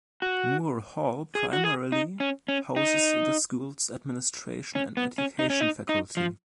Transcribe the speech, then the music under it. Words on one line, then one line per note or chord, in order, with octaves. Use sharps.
Moore Hall primarily houses the school's administration and education faculty.
F#4
G#4
F#4
G#4
D#4
C#4
C#4
D#4
C#4
B3
C#4
D#4
C#4
D#4
D#4
F3